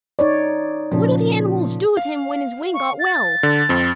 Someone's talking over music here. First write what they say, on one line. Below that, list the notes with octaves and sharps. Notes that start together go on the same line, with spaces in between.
"What did the animals do with him when his wing got well?"
D#4 C#5 D5
A#2 C#3 F3
F5
C#6
A6
D3
F2 C4